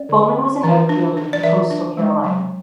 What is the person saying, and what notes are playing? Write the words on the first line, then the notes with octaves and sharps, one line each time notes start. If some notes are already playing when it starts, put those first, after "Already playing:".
Bowman was an outfielder for Coastal Carolina.
Already playing: C#4 D5
D3
C#4
E3
D4
D4
D5
E3 E5
D4
G#3
F#3